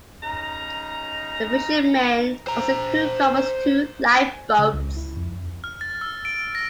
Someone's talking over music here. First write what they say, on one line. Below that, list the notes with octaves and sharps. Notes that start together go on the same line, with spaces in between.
The fishermen also crewed Cromer's two lifeboats.
C#3 D#4 A#5
C5 A#5
G#5
C#3
C#2
E4
F2
F6
A6
E6
D7
A#6